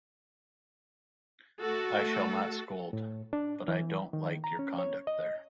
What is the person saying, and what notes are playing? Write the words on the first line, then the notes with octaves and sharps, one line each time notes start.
I shall not scold, but I don’t like your conduct there.
A3 F#4 A4
A2
D4
E3
D#3
A#5
C#4
C#5
D#5